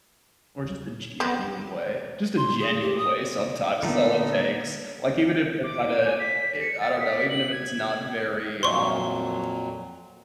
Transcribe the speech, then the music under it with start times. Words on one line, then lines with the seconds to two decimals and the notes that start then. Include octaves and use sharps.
Or just a genuine way, just a genuine way sometimes is all it takes, like, even if they're kinda, i I don't know, even if it's not very, um,
1.20 B3 C4
2.37 C6
2.60 G#4
2.81 G4
2.98 D#6
3.83 A#2 D3 A3 B3 D#4
5.63 D6
6.05 G#5
6.19 B6
6.60 C#7
6.80 A6
6.99 B6
7.29 F#7
7.52 G#6
8.63 F2 A#2 F#3 C6 C#6